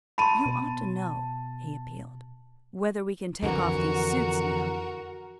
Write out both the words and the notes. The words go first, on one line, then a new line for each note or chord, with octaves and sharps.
"You ought to know"--he appealed--"whether we can take off these suits now."
A5 B5 C6 D#7
B2
F2 D3 E3 F#4 A#4